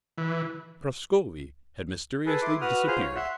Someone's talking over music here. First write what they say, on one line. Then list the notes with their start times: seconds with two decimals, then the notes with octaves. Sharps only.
Prascovie had mysteriously disappeared!
0.18 E3
2.26 G#4 A4 B4
2.42 E4 C6 D6
2.61 F#4 B4 D#6 F6
2.87 F4 G#4 C5 F5
3.00 C#5
3.16 E5 F#5 C6